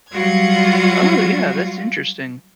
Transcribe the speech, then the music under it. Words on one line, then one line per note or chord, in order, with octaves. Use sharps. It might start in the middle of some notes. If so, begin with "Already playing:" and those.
Oh, yeah, that's interesting.
F#3 G3 F4 F#4 F#5 G#6